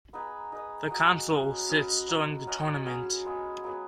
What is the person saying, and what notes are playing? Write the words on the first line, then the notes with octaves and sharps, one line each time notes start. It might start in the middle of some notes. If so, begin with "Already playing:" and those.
The council sits during the tournament.
B3 D#4 G#4 B4
D#4 G#4 B4 D#5
D#4 F#4 D#5
F#3 C#4 B4 D#5
C#4 B4 D#5
F#3 D#4 B4
C#4 F#4 B4 D#5
F#3 C#4 G#4 B4
G#3 B3 G#4
F#3 B3 G#4 B4